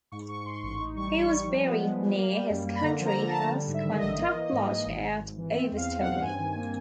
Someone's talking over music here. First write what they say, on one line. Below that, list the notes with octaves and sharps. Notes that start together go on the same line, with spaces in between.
He was buried near his country house Quantock Lodge at Over Stowey.
G#2 C#6
G#2 C#6
G#2 C6
A1 C#6
D#4 C#6
G3 C#6
D#4 C#6
G3
F3
B3
G#3
G#3
A#3
G3
F#2
A#3
B5
D3 A#5
F3
A#5
D3
A5
D3
G3
G#2
E5
D#3
D#5
A1
A#3
E3
G#2
G#2
G#1
G#1
G#1
E3
C4 E5
E2
F5
E2
F#5
C4
G2 G#5
D#3
A#3